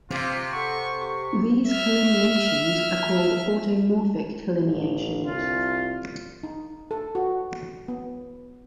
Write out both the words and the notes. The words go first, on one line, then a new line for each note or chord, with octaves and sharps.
These collineations are called automorphic collineations.
C3 F4 D6
A4 F#5 C#6
G4 C#6
E5 F6
A1
C2 F4
D#4
A4
F#4
B3